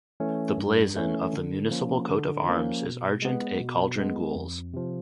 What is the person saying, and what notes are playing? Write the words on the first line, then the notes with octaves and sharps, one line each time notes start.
The blazon of the municipal coat of arms is Argent a Cauldron Gules.
E3 A3 C#4
G2
E3 A3 C#4
D3
F3 A#3 C#4
D3
F3 A#3 C#4
B2
G#3 B3
B2
G#3 B3
F2
C3 F3